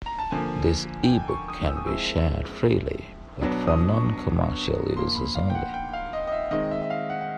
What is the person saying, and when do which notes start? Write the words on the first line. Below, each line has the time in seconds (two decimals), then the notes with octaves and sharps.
This e-book can be shared freely but for non-commercial uses only.
0.06 A#5
0.19 A5
0.31 D3 F3 A#3 G#5
1.04 G5
1.10 G#5
1.28 C#6
1.48 D#6
1.67 E6
1.77 D#6
1.87 F3 G#3 C4 E4 E6
3.41 B2 F#3 B3 D4
3.67 D#6
3.93 C#6
4.96 A#2 F3 A#3 C6
5.15 B5
5.35 F5
5.50 G5
5.55 F#5
5.74 G5
5.93 F5
6.13 D#5
6.27 D#5
6.32 E5
6.51 D#3 G#3 C4 D#5
6.71 E5
6.82 E5
6.90 F5
7.09 F#5
7.21 F#5